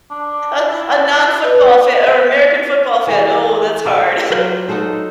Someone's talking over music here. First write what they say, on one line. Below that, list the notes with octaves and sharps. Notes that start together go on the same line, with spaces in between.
a a non football fan or American football fan, oh that's hard.
D4
E4
B4
E3 G4 G#4
G4 A4 D5 F5
F#3 F4 C5
D#4 F#4 A4 C5